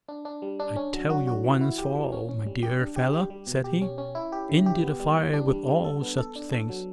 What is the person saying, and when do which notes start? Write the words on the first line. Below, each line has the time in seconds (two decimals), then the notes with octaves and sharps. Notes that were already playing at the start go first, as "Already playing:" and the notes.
I tell you once for all, my dear fellow," said he, "into the fire with all such things!
0.08 D4
0.25 D4
0.42 G3
0.60 D4
0.76 C#4
0.93 F#3
1.10 F#4
1.27 F#4
1.44 E3
1.61 E4
1.78 G4
1.95 E3
2.12 C#4
2.29 C#4
2.46 G3
2.63 G4
2.79 D4
2.96 G4
3.13 G4
3.30 G3
3.47 B2
3.64 G4
3.82 C#4
3.98 C#4
4.15 E4
4.32 G4
4.49 D3
4.66 G4
4.83 B3
5.00 G3
5.17 E3
5.33 D4
5.51 G3
5.68 G3
5.84 A4
6.02 B3
6.18 A4
6.36 D4
6.52 A4
6.69 F#3